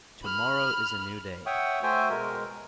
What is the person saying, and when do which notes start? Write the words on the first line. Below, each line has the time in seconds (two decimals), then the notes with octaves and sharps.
Tomorrow is a new day.
0.23 B5 F6
1.46 C#5 E5 F#5 G5 C#6 D#6
1.83 A3 F#4 C5 E5 G5 G#5
2.10 B2 G#3 A#4